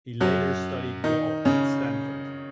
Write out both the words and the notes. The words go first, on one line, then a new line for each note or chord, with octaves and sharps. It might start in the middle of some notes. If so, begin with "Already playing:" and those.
He later studied law at Stanford.
F#2 F#3
D#3 D#4
C#3 C#4